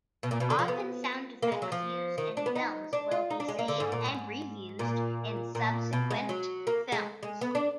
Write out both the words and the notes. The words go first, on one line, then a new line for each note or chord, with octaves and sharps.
Often, sound effects used in films will be saved and reused in subsequent films.
B2
A#2
B2
D3
F3
B3
A#3
G#3
F#3
F3
D#3
D4
B3
D#4
D4
F4
D#4
D4
G#3
A#3
D3
G#2
A#2
G#2
A#2
A#2
B2
G#3
F#3
A#3
G#3
G#3
B3
D4